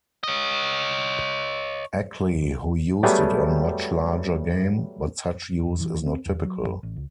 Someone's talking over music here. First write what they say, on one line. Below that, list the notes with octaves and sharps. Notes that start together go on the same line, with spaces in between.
Ackley who used it on much larger game, but such use is not typical.
C#5 D#5
F#3 G3 A3 B3 G4 G#4
E2
E3
C4
E2
F#3
F#2
A1
C#2